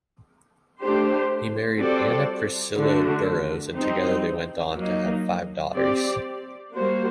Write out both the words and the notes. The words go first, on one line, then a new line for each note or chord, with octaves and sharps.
He married Anna Priscilla Burroughs and together they went on to have five daughters.
A3 D4 G4 C5
G3 C4 F#4 A4 D5
D3 A3 D4 F#4
G3 C4 D#4
F#3 A#3 D#4
C4 G4 D5
G3 A#3 F#4 C5